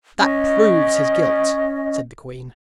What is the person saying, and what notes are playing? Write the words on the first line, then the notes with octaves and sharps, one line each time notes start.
'That PROVES his guilt,' said the Queen.
C#4 D#5